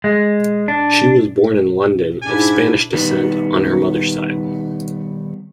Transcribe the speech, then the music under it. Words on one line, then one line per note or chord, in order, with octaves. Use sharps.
She was born in London, of Spanish descent on her mother's side.
G#3
D4
G#2 D4 E4 G#5
D#3 G3 B3